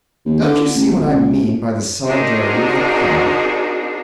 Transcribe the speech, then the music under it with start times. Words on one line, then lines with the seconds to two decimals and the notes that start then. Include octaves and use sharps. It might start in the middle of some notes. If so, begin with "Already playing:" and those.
Don't you see what I mean by the solidarity of the craft?
0.25 D#2
0.42 D3
0.74 A1
0.89 E1
1.08 C#2
2.06 C4 D4 D#4 F#4 G#4 A#4